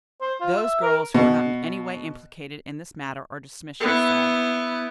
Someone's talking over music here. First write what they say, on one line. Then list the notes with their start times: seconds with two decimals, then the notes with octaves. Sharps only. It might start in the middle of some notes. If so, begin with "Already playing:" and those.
"Those girls who are not in any way implicated in this matter are dismissed," she said.
0.21 C5
0.41 F4
0.57 E5
0.82 A#4
1.14 B2
3.80 B3 E4